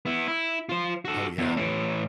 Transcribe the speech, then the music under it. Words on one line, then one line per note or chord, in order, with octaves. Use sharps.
Oh, yeah.
B3 E4
E4
F4 C5
F#4 A4
E2
A2 E3